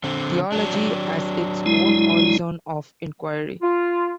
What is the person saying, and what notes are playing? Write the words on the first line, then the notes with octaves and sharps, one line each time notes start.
Theology has its own horizon of inquiry.
D3 C4
F#3 D4
G#3 E4
F4